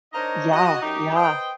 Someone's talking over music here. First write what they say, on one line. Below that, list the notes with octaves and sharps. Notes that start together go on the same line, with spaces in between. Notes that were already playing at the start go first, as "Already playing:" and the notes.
Yeah, yeah.
D4 D#4 A#4 C5 C#5 D#5
F#4 D#5
F#2 D#4 G4
B4 C5 D#5 G5